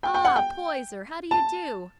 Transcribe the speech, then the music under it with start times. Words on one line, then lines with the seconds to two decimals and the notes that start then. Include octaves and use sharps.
Ah, Poyser, how do you do?
0.03 G5
0.14 G5
0.25 F#5
0.36 G5
1.31 A5